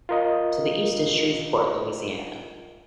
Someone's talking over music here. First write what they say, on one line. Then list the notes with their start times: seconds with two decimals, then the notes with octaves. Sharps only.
To the east is Shreveport, Louisiana.
0.09 F4 A#4 D#5